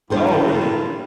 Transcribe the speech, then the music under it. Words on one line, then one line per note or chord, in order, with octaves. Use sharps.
Oh, really?
G2 G3 D4 E4 F4 A4 C5